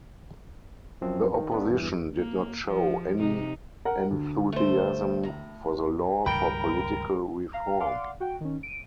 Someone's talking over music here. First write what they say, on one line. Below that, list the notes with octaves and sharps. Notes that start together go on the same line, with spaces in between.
The opposition did not show any enthusiasm for the Law for Political Reform.
F#2 F3 C4
D#3
B3 D4
E2 G2 E3
A#3
F3
C3 D#4
A#4 F#5
D2
A3 C5
A2 A#5
C#2 G2 D#3 A#4 G5 B5
F5 A#5
D5 F5 F#5 C6 D6
F#4 G5
D#3 C#4
D7 D#7